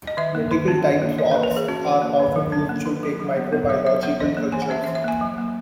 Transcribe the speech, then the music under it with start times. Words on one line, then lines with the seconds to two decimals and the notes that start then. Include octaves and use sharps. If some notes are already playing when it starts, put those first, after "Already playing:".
Medical-type swabs are often used to take microbiological cultures.
0.07 D#5
0.17 D#3 E5
0.35 A#3
0.51 D#3
0.68 C#4
0.85 D#3
1.02 A#3
1.18 E3 D#5
1.31 A#3 B4
1.43 A#4
1.51 E3
1.57 G#4
1.68 C#4 F#4
1.85 E3
2.02 A#3
2.19 D#3
2.36 F#3
2.52 C#4
2.69 A#3
2.85 D#3
3.03 F#3
3.20 F#3
3.37 B3
3.52 B3
3.69 F#3 E5
3.86 F#3 E5
4.03 B3 E5
4.20 E3 D#5
4.37 A#3
4.52 E3 G#5
4.62 F#5
4.70 C#4 E5
4.84 E5
4.87 E3
4.95 E5
5.04 A#3 G#5
5.21 F#3
5.38 A#3